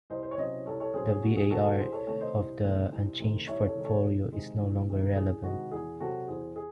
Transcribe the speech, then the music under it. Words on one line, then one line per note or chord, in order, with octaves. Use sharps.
The VaR of the unchanged portfolio is no longer relevant.
C2 C5 D#5
C5
C#5
C3 F#3 C#4 E4 C5 D#5
C2 A4 C#5
A4 C#5
C3 F#3 C#4 E4 G#4 C5
G#4
C2 F#4
G#4
C3 D#3 A3 F#4 A4
F#4 A4
C2 G#4 C5
A4 C#5
C3 D#3 A3 A4 C#5
C5 D#5
C2
C3 D#3 A3
C2
C3 D#3 A3
C2 C#5 E5
A4 C#5
C3 D#3 G#3 D#4
A4 C#5
C2
C3 D#3 G#3 D#4
C2
C3 D#3 G#3 D#4
C2 G#4
C3 D#3 G#3 D#4 F#4
E2 G#4
C3 F#3 F#4 A4
E2 G#4 C5
G#4